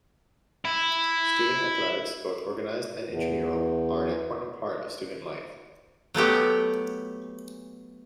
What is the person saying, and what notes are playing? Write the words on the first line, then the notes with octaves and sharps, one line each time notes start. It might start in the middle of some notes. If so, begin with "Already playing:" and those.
Student athletics, both organized and intramural, are an important part of student life.
E4
E2
F#3 A3 B3 G4